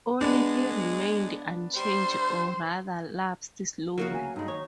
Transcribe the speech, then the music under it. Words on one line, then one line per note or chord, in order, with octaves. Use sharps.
Only he remained unchanged, or rather, lapsed slowly.
G#3 B3 D4
G3 C5
D2 C#3 F#3 A#3 F#4 A#4
G#5
G2 G#3 D#4
D#3 C#5